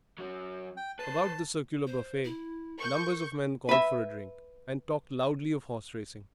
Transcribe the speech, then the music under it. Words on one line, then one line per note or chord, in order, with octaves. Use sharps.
About the circular buffet numbers of men called for drink, and talked loudly of horse-racing.
F#3 C#4
G5
B4 C5 A5
C5
E4
A#4 C#6 G6
B4 E5